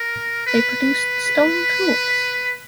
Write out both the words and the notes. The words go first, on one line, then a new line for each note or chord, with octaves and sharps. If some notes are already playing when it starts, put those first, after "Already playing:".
They produced stone tools.
Already playing: A#4
B4